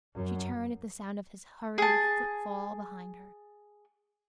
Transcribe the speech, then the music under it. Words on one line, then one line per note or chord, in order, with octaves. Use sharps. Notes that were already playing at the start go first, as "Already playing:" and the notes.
She turned at the sound of his hurried foot-fall behind her.
F#2
G#4 A5